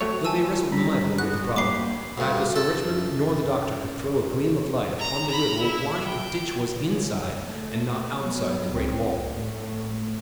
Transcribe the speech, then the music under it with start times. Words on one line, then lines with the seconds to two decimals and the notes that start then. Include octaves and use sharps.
Though they wrestled mightily with the problem, neither Sir Richmond nor the doctor could throw a gleam of light upon the riddle why the ditch was inside and not outside the great wall.
0.01 F#3 A3 C4 C#5
0.25 G#5 A5 E6
0.71 G3 C#4 D4 E5 A#5 B5
1.18 B3 F#4 F#6
1.56 A#3 G4 B5 D6 C7
2.18 D2 G2
2.56 A4
2.86 F#2
4.99 A#5
5.27 A#5 B5
5.60 E4
6.01 G5
6.75 C#3
7.46 A3
8.20 F#3 B3
8.69 C#2 C4
9.33 A2